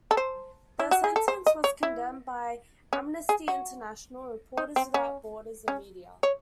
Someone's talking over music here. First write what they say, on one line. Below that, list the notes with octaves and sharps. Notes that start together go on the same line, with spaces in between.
The sentence was condemned by Amnesty International, Reporters without Borders and media.
A4
C5
E4
F#4
G#4
A4
C5
D#5
C#5
E4
C#4
G#4
F#4
D#4
C4
C#4
C#4
C#5